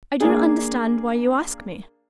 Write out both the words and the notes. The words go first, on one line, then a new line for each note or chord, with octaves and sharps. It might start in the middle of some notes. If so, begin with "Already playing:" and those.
"I do not understand why you ask me."
A#3 D4 G#4